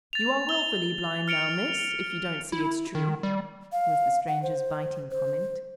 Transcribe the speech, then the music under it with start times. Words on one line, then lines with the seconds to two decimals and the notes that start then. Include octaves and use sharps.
"You are willfully blind now, miss, if you don't see it's true," was the stranger's biting comment.
0.13 A6 F7
0.49 G7
1.28 F6 C#7 D7 F7
2.52 E4
2.95 D#3
3.23 G3
3.72 F5
4.28 F#5
4.43 C5
5.11 C5